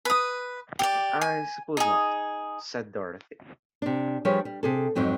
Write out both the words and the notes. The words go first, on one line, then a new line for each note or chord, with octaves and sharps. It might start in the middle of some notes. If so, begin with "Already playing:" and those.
"I suppose not," said Dorothy.
B4 D#6
G4 D5
G#5
D#4 G#4
C3 D4
F3 G3 G#4 B4 C#5
G3
C3 G#4 A4
F2 G#2 F#3 C4 D#4